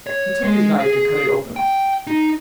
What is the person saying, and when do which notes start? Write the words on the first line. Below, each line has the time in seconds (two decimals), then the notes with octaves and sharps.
He took his knife and cut it open.
0.07 C#5
0.44 G#3
0.80 G#4
1.56 G5
2.07 D#4